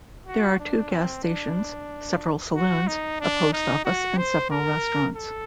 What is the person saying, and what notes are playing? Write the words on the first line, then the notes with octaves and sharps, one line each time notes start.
There are two gas stations, several saloons, a post office, and several restaurants.
F#4
D4
C4
D4
F#4
D#4
D4
D#4
F#4
C5
A#4
A4